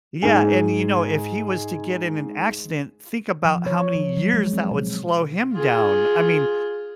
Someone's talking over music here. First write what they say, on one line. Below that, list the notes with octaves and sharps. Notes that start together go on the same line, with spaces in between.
Yeah, and, you know, if he was to get in an accident, think about how many years that would slow him down. I mean,
G#2 G#4 G#5
F3
C#5
F3
F#3
G#3
C4
B2
F4 G#4